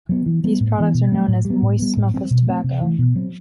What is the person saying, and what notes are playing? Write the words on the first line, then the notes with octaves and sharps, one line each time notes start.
These products are known as moist smokeless tobacco.
F#3 B3
E3
G3 B3
A2
E3 B3
B2
F#3 A3 C4
A2
G3
B3
A2
G3 B3
A2
G3 C4
B2
A3 C4
C3
E3 A3
B2
F#3 C4